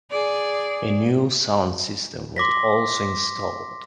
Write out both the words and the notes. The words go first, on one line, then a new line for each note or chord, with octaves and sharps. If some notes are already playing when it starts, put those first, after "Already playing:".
A new sound system was also installed.
G#4 D5
C6 D6 A#6 B6